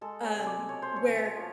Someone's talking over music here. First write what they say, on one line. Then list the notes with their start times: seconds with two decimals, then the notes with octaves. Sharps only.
um, where
0.01 G#3 A4
0.24 C#5
0.35 C3
0.46 D5
0.69 B2 C#5
0.82 C5
0.96 C#5
1.03 B2
1.36 F3